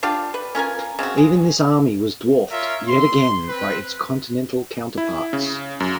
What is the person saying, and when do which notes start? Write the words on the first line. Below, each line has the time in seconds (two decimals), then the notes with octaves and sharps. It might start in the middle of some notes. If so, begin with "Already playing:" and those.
Even this army was dwarfed, yet again, by its continental counterparts.
0.03 D4 F4 G4 F5
0.34 B4
0.55 C#4 F4 A#4 G#5
0.99 C#3 C4 F4 F#4
1.18 G#3
2.51 F4 A#4 C#5 E5
2.88 C6
3.49 C4 B4
4.98 E4
5.33 C#3
5.80 F#2